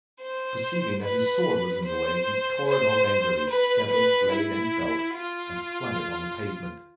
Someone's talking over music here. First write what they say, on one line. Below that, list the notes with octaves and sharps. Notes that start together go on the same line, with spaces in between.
Perceiving that his sword was in the way, he tore it off angrily, scabbard, blade, and belt, and flung it on the pavement.
C5
B4
C5
C5
B4
B4
E4
F4